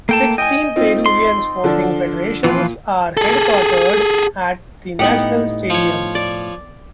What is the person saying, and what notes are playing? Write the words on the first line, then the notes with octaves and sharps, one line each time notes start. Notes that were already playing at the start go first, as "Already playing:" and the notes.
Sixteen Peruvian sporting federations are headquartered at the national stadium.
A3 A#3 G5 A5
D#5 G5 G#5
C4 D#4 F4
C6
D3 F3 D4
A#2 E3 F3 F4
G#4 A4
A2 B3 D#4 G4 F#5
F3 C#5
D5